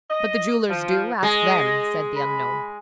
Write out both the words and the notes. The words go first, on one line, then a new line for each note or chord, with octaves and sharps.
"But the jewelers do: ask them," said the unknown.
D#5
F3
G#3 D#5
B5